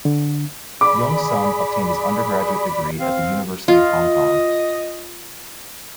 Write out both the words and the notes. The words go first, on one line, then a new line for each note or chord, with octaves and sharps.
Yeung Sum obtained his undergraduate degree at the University of Hong Kong.
D3
G#4 D5 B5 D6
C4 F5
F4 D#5